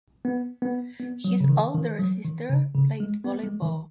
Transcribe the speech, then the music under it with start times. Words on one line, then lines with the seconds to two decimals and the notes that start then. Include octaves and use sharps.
His older sister played volleyball.
0.25 B3
0.62 B3
1.00 B3
1.24 F#3
1.40 C#3
1.49 D#3
1.74 D#3
1.99 F#3
2.25 D#3
2.49 C#3
2.75 C#3
3.00 G#3
3.24 B3
3.43 G#3
3.62 D#3